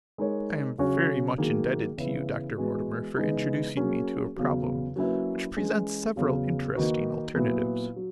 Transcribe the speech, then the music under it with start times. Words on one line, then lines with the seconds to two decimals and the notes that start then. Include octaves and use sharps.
I am very much indebted to you, Dr. Mortimer, for introducing me to a problem which presents several interesting alternatives.
0.18 G#3 D#4 A#4 C#5
0.78 C#3 F#3 C#4 F#4 C#5
1.38 D#3 F#3 A#3 D#4 G#4
1.98 C#3 E3 B3 E4
2.57 E3 G#3 B3 F#4
3.17 C#3 E3 G#3 B3 D#4
3.77 F#3 A#3 C#4 G#4
4.36 E2 C#3 F#3
4.96 F#3 A#3 C#4 E4 B4
5.56 E3 G#3 C#4
6.16 E2 C#3 F#3
6.76 D#3 A#3 D#4 F#4 B4
7.35 A#2 F#3 B3 E4
7.96 F#3